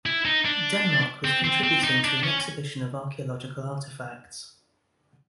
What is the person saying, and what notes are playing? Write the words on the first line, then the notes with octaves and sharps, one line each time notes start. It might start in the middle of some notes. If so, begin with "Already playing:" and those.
Denmark was contributing to an exhibition of archeological artefacts.
E4
D#4
D4
C4
C4
C4
D#4
D4
C#4